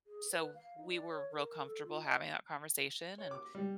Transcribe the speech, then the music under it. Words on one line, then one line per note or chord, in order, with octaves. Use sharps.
so we were real comfortable having that conversation, and
G#4
B4
F5
D#4
D5
C#5
A#4
A4
F4
D#5
C#5
D6
G3